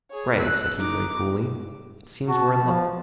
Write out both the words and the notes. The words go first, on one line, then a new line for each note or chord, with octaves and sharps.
"Grey," said he, very coolly, "it seems we're in luck."
G#4 C#5
E6 F#6
D#4 D6
F#4 A5
F3